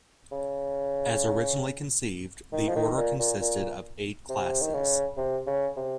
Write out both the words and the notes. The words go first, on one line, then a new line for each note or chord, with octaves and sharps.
As originally conceived, the order consisted of eight classes.
C#3
D#3
F3
D#3
A#2
A#2
A#2
C3
D#3
C#3
C3
C#3
C3